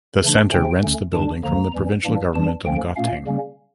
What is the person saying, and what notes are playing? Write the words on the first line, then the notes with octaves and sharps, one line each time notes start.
The Centre rents the building from the provincial government of Gauteng.
C#3 E3 A3 D4
C#3 F3 A3 C#4 G5
D2 D3 A3 C#4
G2 D3 G3 D4 A5
D2 D3 F3 A#3 A#5
E2 E3 G3 C#4
A2 E3 G3 A#3 D4
F2 E3 G3 D4 A5
D2 D3 F3 A#3 C#4 G5
A#2 A3 C#4 F5
C#3 G3 A#3 C#4